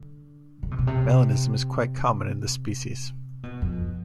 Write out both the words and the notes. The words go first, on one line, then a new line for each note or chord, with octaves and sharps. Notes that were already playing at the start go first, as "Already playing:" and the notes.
Melanism is quite common in this species.
Already playing: D3
D3
C3
B2
C3
B2
F2